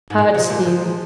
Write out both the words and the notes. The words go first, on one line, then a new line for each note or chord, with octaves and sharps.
Hart's Theory.
G#2
A#2 G#3
C3 F3
A#2 F3
F3
G#3